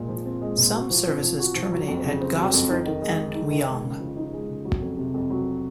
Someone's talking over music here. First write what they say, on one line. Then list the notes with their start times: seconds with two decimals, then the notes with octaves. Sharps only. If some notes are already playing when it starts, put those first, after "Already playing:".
Some services terminate at Gosford and Wyong.
Already playing: A#2 G#3
0.08 F3
0.25 C4
0.41 G#3
0.57 A#2
0.74 F#4
0.90 F3
1.07 C4
1.23 F3
1.39 F#4
1.55 F3
1.72 F#3
1.88 F2
2.04 C#3
2.21 C4
2.37 F#3
2.53 F2
2.69 D#4
2.85 D#3
3.02 G#3
3.19 G#4
3.34 D#4
3.51 D#3
3.67 G#3
3.83 C#3
4.00 F3
4.16 D#4
4.33 G#3
4.48 C#3
4.65 F#3
4.82 F2
4.97 C3
5.14 F2
5.30 F#3